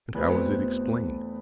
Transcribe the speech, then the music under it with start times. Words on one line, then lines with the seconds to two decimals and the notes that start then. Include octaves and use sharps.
"And how is it explained?"
0.14 E2 B2 A3 C4 B4